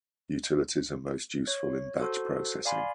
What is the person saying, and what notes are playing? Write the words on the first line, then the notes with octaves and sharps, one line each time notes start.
Utilities are most useful in batch processing.
C#5
F#4 A4 C5 C6
D5 F5 G#5 B5 C6